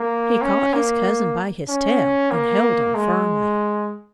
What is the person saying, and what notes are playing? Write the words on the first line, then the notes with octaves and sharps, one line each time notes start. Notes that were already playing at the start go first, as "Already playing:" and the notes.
He caught his cousin by his tail and held on firmly.
Already playing: A#3
C#4
A#3
C#4
A#3
G#3